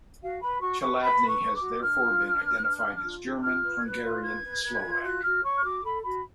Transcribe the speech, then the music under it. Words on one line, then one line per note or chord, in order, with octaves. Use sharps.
Chladni has therefore been identified as German, Hungarian and Slovak.
F#4 F5
B4 B5
F#4 C#6
B4 C#6
B4 B5
B4
C#6
B4
D6
F#4
D4 F6
F4
D4
B4
D4
D4
F4
D4
F4 F6
B4
G#6
B4 F#6
F4
B4 G#6
B4
B4
F4
F#4 F#6
F#4 F6
C#5 C#6
F6
F#4 D6
A4 B5
F#4 B5